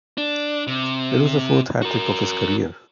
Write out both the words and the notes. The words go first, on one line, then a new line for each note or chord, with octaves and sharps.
It was the fourth hat-trick of his career.
D4
C3
F#4 A#4